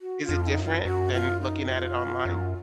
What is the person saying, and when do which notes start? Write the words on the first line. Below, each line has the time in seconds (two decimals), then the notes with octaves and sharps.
is it different than looking at it online?
0.01 F#4
0.23 F4
0.29 F2
0.43 F4
0.48 D#4
0.57 F#2
0.64 F4
0.85 F#2 F#4
1.13 F4
1.41 D#4
1.68 F2 F4 F#4
1.97 F#2
2.25 F#2